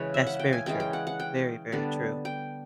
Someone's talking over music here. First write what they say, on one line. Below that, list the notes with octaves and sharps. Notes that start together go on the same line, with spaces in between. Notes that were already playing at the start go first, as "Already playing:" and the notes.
That's very true. Very, very true.
Already playing: C#3 E3 G#3 B4 C#5
E5
F#5
G5
G#5
E3 G#3 C#4 G5
G5
F#5
F#5
G5
D3 G3 B3 D4
G5